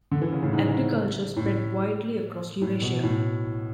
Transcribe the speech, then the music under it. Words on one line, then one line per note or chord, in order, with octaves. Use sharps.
Agriculture spread widely across Eurasia.
D3
E3
C#3
A2
G#2
A2
A2
B2
A2